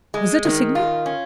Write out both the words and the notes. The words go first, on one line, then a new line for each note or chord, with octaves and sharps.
Was it a signal?
G#3
D#3
F4
C#4